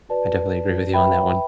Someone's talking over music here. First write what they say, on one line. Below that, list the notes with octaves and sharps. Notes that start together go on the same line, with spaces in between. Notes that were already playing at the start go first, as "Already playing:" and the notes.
I definitely agree with you on that one.
F#4 B4 D5 A5
B4 E5 G5 B5